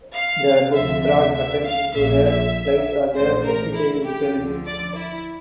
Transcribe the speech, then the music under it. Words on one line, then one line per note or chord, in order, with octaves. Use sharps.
The book brought attention to the plight of the pesticide victims.
F5
D2 C3 F3 E5
E5
E5
F5
A#1 A#2 F3 E5
E5
A#1 A2 E3 C5
A#4
E4
G4
D2 D3 F3
D5
E4